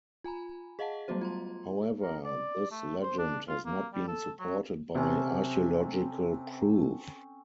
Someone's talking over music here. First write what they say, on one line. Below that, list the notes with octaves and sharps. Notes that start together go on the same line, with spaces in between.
However, this legend has not been supported by archaeological proof.
F4 G#5 A#5 B5
G#4 D#5 F5 F#5 A5
F#3 G3 A3 B3 F#4 C5
F4 A#5 C6
A#4
D5
A3
C5
D4
F4
A#3
G3
A4
F#3
C3 C4 C#4 A4